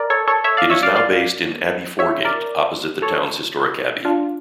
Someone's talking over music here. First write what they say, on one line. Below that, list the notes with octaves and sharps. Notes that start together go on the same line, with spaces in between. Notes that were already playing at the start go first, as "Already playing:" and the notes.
It is now based in Abbey Foregate, opposite the town's historic Abbey.
Already playing: A#4 D5
A4 C#5
A4 C#5
C#5 E5
D5 F5
C#5 E5
D5 F5
D5 F5
C#5 E5
A#4 D5
A4 C#5
D4 F4